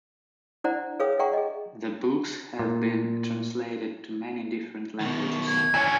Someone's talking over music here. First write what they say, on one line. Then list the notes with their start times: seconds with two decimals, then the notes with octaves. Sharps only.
The books have been translated to many different languages.
0.64 D4 E4 C5 D5 F#5 A#5
1.00 G#4 B4 C#5 F5 G5 D#6
1.19 D5 E5 F#5 G5 A#5 C#6
1.33 G#4 D#5
2.59 A#2
5.00 B2 D#3
5.47 G#6
5.74 E3 C#4